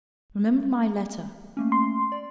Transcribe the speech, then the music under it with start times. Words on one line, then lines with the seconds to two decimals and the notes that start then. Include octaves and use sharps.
Remember my letter.
1.57 A3 A#3 C#4
1.72 C6
2.12 D5